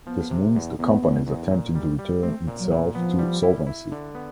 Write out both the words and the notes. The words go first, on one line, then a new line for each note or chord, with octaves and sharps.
This means the company is attempting to return itself to solvency.
F3 B3
C3
E2
E2 B3
E2
E2
A#2
G3
G3
A3 C4
A#2
F#3
A#2
F3 B3
G3
E4
E4
D3
B3